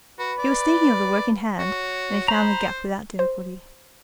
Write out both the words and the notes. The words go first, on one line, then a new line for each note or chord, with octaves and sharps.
He was thinking of the work in hand, and he found the gap without difficulty.
F#4 B4
D5
F#4 C#5
C5 A#5 B5
C5